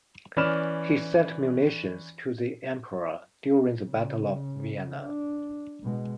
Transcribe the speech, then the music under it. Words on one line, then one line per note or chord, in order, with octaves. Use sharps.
He sent munitions to the Emperor during the Battle of Vienna.
E3 C#4 D5 B5 F6 E7
C#3
D4
B2 G#3